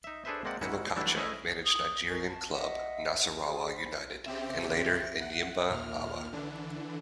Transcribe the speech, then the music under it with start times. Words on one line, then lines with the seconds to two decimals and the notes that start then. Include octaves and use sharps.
Amokachi managed Nigerian club Nasarawa United and later Enyimba Aba.
0.04 D#4 E5
0.25 D4 G#4 A4 B4 C5 E5
0.45 G#3 A#3 C4 D5 F#5
0.61 G#2 D#3 C#4 E4 F#4
0.96 E3 F#3 G3 A3 D4 E4
1.16 A3 C#4 E4 G#4 D#5 E5
1.65 D#6
2.08 A#4 G#5 C#6
2.26 A5
2.52 D#5 E5 F#5
3.44 G#4 D5
3.76 C5 B5
4.26 C#3 C4 G4 E5
5.21 F#5
5.68 D#2 A#2 F6
6.32 D3 E3 D4